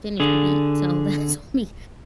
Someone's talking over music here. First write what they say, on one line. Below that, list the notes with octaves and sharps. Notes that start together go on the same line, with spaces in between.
finish the beat, so, that's on me,
D3 G#4